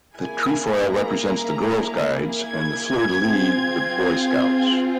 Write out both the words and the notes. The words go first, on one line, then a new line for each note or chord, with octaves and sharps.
The trefoil represents the Girl Guides and the fleur-de-lis the Boy Scouts.
A#3 E4 G#4 G#5
A#5
G#6
C4 F4 G#4